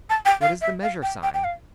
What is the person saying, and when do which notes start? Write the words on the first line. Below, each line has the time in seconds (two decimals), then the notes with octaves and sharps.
"What is the measure-sign?"
0.10 A5
0.26 G5
0.41 F5
0.61 E5
0.82 F5
1.03 G5
1.23 G5
1.34 G5
1.44 F5